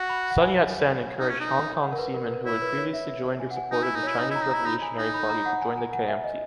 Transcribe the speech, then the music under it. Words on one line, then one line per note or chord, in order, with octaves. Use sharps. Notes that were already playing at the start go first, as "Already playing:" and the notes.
Sun Yat-sen encouraged Hong Kong seamen who had previously joined or supported the Chinese Revolutionary Party to join the KMT.
Already playing: F#4 F#5
B5
F#5
G#5
D#4
C#4
D#4
F#5
A#4
B4
A#4
A#4
B4
E4 C#5
B4
C#5
E5
E5
G#5
F#5
G#5
D#4 G#5
E4
D#4
E4 C#5
D#4 D#5
E4 A#5
D#4
E4 A#5
D#4 B5
G#5
D#4
B5
A#5
F#5
G#5
G#5
F#5
E5
D#5